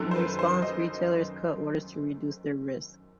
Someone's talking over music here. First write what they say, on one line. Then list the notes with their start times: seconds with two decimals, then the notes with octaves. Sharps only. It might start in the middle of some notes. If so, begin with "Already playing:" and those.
In response, retailers cut orders to reduce their risk.
Already playing: F#2 D#3 F#3 A4
0.11 C5
0.16 B4
0.39 C5
0.62 D#5